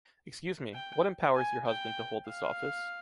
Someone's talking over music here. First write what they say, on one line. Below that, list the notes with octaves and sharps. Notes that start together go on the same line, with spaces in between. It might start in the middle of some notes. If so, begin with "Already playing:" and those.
Excuse me, what empowers your husband to hold this office?
G5
G#5
G5
F5